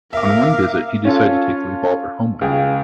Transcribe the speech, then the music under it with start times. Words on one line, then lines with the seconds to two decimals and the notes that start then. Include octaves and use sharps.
On one visit he decided to take the revolver home with him.
0.13 A#4 E5 F5 D6
1.05 C#4 F4 A4
2.41 C#2 G#4 G5